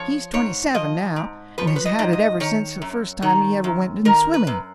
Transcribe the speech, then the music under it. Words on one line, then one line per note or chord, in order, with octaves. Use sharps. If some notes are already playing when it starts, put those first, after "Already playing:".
He's twenty-seven, now, and has had it ever since the first time he ever went in swimming.
Already playing: F3 C#5
G#2 C#5
F3 D#5
G#2
F3 B4
C#5
B4
D#5
G#2
D#5
D#3 C#5
F#2
D#3
F#2
D#3 A#4
B4
F#2